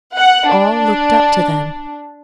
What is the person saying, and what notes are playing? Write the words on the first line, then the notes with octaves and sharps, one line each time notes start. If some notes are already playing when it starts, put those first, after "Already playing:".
All looked up to them.
F#5
D4